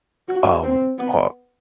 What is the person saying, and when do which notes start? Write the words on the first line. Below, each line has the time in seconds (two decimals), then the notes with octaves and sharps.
um, uh,
0.28 F#4
0.63 C4
0.98 B3